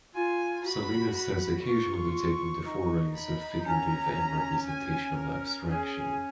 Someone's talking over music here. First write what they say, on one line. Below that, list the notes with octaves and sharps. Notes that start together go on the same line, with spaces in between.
Salinas has occasionally taken to forays of figurative and representational abstraction.
F4 G#5
F4
F#4 B5
B5
F4 C#6
D#4
B5
D#4
C#4 A#5
G#5
A#4
C#4 G#4